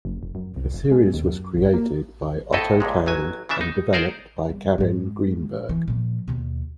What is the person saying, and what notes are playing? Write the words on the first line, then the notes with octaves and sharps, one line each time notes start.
The series was created by Otto Tang and developed by Carin Greenberg.
F#1
F1
F#2
C2
F1
G#3
D#2
F#2
G#1
A#3
F2 A2 D#4 E4 A4 D#5
C#2 G2 A#2 G#3
A1 F#3 G#5
C#3 E3 D4 E5
D#4
D#4 G#4 A#4 C5 D5
G3
G#2 G#3
E3
A#2 F3
D#2 B2